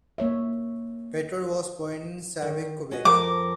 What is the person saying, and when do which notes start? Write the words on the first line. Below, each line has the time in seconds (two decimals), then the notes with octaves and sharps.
Pelletier was born in Sayabec, Quebec.
0.18 A#3 C#5 E5
2.42 D#3
2.91 C#4 F#4 D#5
3.05 F2 F3 A#4 D6